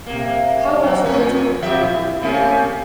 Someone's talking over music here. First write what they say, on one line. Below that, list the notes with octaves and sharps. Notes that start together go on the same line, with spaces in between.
How about some guitar?
C3 A#3
F#3
F2 C#4
F3 G4 E5
E4
C3 A3 C#4